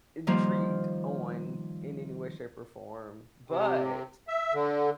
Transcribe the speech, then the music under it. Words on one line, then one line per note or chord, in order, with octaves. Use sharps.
intrigued on in any way, shape or form. But,
D#3 F3 G3 A#3 F5
C3
E5
D3